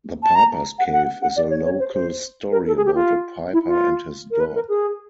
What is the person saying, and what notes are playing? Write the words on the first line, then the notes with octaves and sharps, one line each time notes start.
"The Piper's Cave" is a local story about a piper and his dog.
A5
A#5
F#5
F#5
F#5
D5
C#5
C#5
C5
C5
A#4
A4
G#4
G4
F4
E4
F4
A#4
B4
A#4
G#4